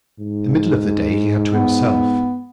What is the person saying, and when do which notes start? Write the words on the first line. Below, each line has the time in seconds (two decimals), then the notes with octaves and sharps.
The middle of the day he had to himself.
0.20 G#2
1.53 B3